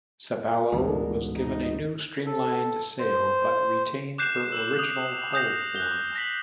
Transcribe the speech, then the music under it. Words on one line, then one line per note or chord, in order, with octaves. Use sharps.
"Sabalo" was given a new streamlined sail, but retained her original hull form.
A1 D2 G#2 B2 D4 G#4 A#4
D4 D#4
A4
C5
D6 F#6 G6 C7 E7
E6 E7
D#6
D#6 G6 A#6 C7
F#6 G7
A#6 B6 F#7